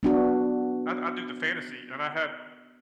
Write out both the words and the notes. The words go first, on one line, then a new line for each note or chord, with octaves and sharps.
I d I do the fantasy, and I had
B3 D4 F#4